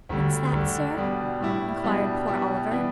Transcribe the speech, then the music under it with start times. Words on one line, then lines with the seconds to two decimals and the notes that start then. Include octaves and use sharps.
'What's that, sir?' inquired poor Oliver.
0.09 D2 D3 G3
0.52 D2 D3 G3
0.97 B2 G3 D4
1.41 A2 G3 E4
1.83 B2 G3 D4
2.27 B2 G3 E4
2.71 E3 B3 D4